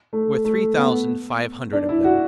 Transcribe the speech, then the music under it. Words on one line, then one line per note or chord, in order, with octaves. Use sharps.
There were three thousand five hundred of them.
A3
A3
B3
D4
E4
F#4